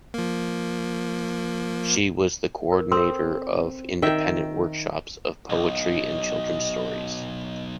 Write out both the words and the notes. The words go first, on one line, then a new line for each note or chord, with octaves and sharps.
She was the coordinator of independent workshops of poetry and children stories.
F3 A#3
A#4
C4 A4 C6 E6
D#3 E5 G5
B1 D#5